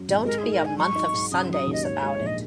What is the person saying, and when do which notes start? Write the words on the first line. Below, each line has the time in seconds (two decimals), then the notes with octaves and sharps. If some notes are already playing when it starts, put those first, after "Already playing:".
Don't be a month of Sundays about it.
Already playing: F#2 F#3
0.08 G#1
0.25 G#3 A#4
0.38 D#4 G#4
0.52 A#4
0.61 G#2 G#5
0.78 F#3 C#6
0.96 D#4
1.14 G#2
1.32 C#3 D#6
1.50 F#3 D#6
1.67 D#2
1.73 D#5
1.84 G#2 C#5
2.03 G#3
2.20 A#1
2.26 D#5